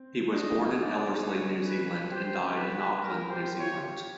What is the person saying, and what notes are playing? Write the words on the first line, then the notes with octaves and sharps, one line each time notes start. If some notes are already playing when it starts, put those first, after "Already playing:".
He was born in Ellerslie, New Zealand and died in Auckland, New Zealand.
Already playing: C4
D4 D#5
D#4
D5
G#4 C#5
B4
G4 C5
B4
A#4
G4 C5
F4 C#5